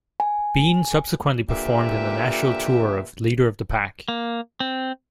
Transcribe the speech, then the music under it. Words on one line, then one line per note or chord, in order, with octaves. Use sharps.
Bean subsequently performed in the national tour of "Leader of the Pack".
G#5
A#2 D3 G4 B4 E5
A#3
C4